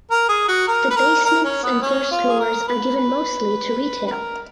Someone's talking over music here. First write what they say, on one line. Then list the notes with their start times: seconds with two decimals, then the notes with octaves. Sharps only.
The basements and first floors are given mostly to retail.
0.11 A#4
0.28 G#4
0.48 F#4
0.67 A#4
0.90 B4
0.96 A#4
1.24 A#4
1.44 C#4
1.63 B3
1.82 C#4
2.11 F4
2.28 G#4
2.40 A#4
2.68 B4
2.97 B4
4.07 B4
4.11 A#4